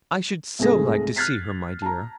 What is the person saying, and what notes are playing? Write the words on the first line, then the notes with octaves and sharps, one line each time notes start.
'I should so like to see her, my dear.
C2 G#2 A3 G#4 A#6
F6 F#6 G#6 A6 B6 C7
A5 A#5